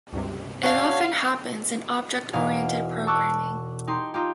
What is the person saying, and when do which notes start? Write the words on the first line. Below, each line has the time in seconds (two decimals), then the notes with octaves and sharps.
It often happens in object-oriented programming.
0.13 C#2 G2 C3
0.63 C#4 D4 F#4 C#5 F5
2.33 E1 B2 D#4 F5 G#5
3.07 A5 C#6 D6 E6 F#6
3.87 D#4 G4 C6
4.14 D#4 F4 G4